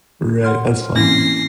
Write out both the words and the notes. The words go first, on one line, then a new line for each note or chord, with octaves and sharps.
Right, that's funny.
F#5 C6 F6
E3 A#3 C4 C#4 E4 A#6 C7